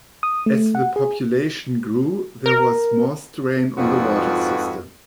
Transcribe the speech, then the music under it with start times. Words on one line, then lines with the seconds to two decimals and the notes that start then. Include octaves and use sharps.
As the population grew there was more strain on the water system.
0.23 D#6
0.46 A3
0.75 F#5
0.96 G#4
2.46 A#4
3.78 F2 G#2 F3 D4 F#4 B4